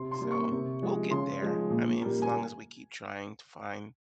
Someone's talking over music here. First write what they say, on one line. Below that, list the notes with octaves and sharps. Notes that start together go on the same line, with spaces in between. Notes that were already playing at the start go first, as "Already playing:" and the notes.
So, we'll get there, I mean, as long as we keep trying to find,
Already playing: C3 C6
C6
G3 A#3
C#6
C3
F3 G#3
C#3 C6
F3 G#3
A#2
G3 A#3
G#5